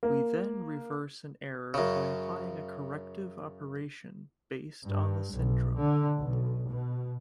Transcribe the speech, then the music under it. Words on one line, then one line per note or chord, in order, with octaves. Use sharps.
We then reverse an error by applying a corrective operation based on the syndrome.
A#3
F#2 C#3
G2
B1
D3
B1
B2